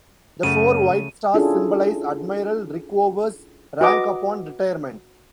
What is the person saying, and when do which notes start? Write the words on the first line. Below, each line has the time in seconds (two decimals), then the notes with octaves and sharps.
The four white stars symbolize Admiral Rickover's rank upon retirement.
0.43 F#2 C#3 A3 D#7
1.34 C#4 D4 E4 F4 G#4 A4
3.81 F#4 B4 D#5 D6